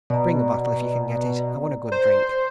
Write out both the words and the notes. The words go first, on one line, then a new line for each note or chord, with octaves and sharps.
"Bring a bottle if you can get it--I want a good drink."
B2 D5 A#5
C5